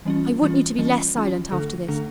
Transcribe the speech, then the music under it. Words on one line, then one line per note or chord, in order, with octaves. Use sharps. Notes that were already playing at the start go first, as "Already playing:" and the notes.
I want you to be less silent after this.
E3 G3 C#4 F4
E3 G3 C#4 F4
E3 G3 C#4 F4
E3 G3 C#4 F4
D3 A3 D4 A4
D3 A3 D4 A4